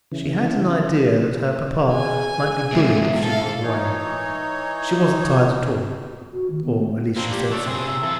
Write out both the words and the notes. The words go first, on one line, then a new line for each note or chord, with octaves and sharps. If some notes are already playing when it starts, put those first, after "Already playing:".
She had an idea that her papa might be bullied if she were away: she wasn't tired at all, or at least she said so.
C#3 E3
G#4 G#5
B2 G#3 E5
A4 F5
E3 D#4 C#5
F#4
D#3
B3
A3
A#3 C4 D4
G4
A3 D4 C#5
C3 C4 G#4
E5
E3 F4 A4